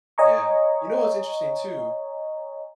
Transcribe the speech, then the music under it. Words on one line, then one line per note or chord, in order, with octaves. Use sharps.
Yeah. You know what's interesting, too
C#5 D#5 G#5 A#5 C#6